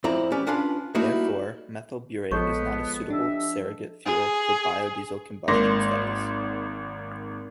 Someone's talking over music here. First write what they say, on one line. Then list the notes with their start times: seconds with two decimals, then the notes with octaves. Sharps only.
Therefore, methyl butyrate is not a suitable surrogate fuel for biodiesel combustion studies.
0.04 F2 C4 E4 D5 A#5
0.32 C#4 G4 B4 D5
0.47 C#4 D4 F4 B4
0.95 G3 A3 A#3 D#4 E4 F#4
2.31 A#1 F3 G#3 B3 A4 C#5 C#6
3.10 D4 G4 D#5 E5
4.06 G#4
5.48 G#1 G#2 A#3 C6 A#6